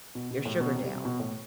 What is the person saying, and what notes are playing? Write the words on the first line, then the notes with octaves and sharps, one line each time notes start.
your sugar down.
B2
B2
A2
B2
C3
G3
C3
B2
A2